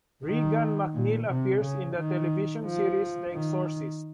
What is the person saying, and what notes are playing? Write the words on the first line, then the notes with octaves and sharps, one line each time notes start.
Regan McNeil appears in the television series "The Exorcist".
D#3
A#2
C3
C#3
D#3
F3
D#3